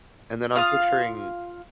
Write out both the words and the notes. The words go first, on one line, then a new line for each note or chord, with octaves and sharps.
And then I'm picturing
F4 F5 D#6